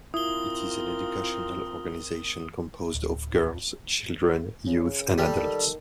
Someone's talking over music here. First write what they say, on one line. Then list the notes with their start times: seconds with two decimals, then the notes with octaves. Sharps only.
It is an educational organization composed of girls, children, youth and adults.
0.14 C4 E4 F4 A#4 D#6 G7
2.95 D1
4.67 C#3
5.18 G3 A4
5.41 D#3